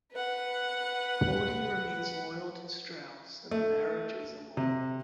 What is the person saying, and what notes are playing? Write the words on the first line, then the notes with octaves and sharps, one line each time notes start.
Poldi remains loyal to Strauss and the marriage is a long one.
B4 F#5
A3
C3